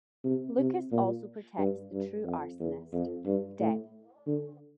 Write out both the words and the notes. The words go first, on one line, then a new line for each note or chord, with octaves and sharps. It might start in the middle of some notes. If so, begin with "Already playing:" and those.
Lucas also protects the true arsonist: Deb.
C3
C3
A#2
G2
G2
F2
E2
F2
G2
A2
D3